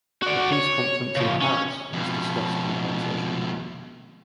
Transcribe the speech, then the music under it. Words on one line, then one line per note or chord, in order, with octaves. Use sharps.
The Peace Conference in Paris was discussed in the conversations.
F#4 D5
C#5
C#3 F3
C#4
F2 B2